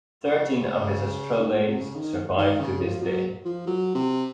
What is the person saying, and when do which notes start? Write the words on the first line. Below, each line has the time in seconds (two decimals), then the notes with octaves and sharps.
Thirteen of his astrolabes survive to this day.
0.25 C#3
1.39 G#2
1.53 A#2
1.67 C3
1.81 C#3
1.95 D#3
2.38 D#3
2.60 C#3
2.81 F3
3.02 F#3
3.45 F3
3.67 F#3
3.95 C3